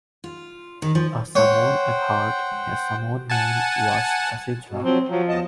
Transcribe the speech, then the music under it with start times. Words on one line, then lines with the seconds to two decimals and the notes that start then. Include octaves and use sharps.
A Samoan at heart, his Samoan name was Tusitala.
0.24 F4
0.82 D#3
0.95 F3
1.35 C5 C#5 F#5 G5
3.30 F#5 G#5 A5
4.69 B2
4.83 F3 F#3 C4
5.09 F3 F#3
5.29 E2 D#5 A5